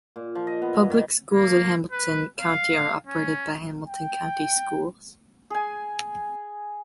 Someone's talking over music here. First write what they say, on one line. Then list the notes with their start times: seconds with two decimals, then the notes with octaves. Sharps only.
Public schools in Hamilton County are operated by Hamilton County Schools.
0.16 A#2
0.35 F3
0.47 D#5
0.62 B3
0.75 G2
0.90 D#3
1.31 A#3
1.92 B4
2.40 F5
3.06 C#4
3.87 G5
5.50 G#4 G#5